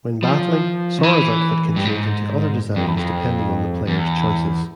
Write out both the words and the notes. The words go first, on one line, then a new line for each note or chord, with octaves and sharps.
When battling, Sora's outfit can change into other designs depending on the player's choices.
F3
C#3
E3
G2
G#2
F2
E2
F2
E2